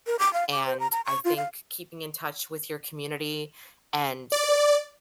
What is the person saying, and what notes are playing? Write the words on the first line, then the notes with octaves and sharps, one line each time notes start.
and I think keeping in touch with your community and, er,
A#4
D6
F5
D6
C5
A#5
A#5
C#6
F4
F5
D5